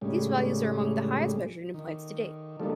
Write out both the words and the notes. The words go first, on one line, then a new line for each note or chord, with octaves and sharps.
These values are among the highest measured in plants to date.
A2 C#3 G3 G#3
D#3
D3 F3 G3 A#3 D#4 A4